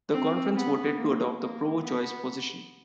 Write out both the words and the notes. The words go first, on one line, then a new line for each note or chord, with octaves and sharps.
The conference voted to adopt the pro-choice position.
C4
B3
A#3
A#3
B3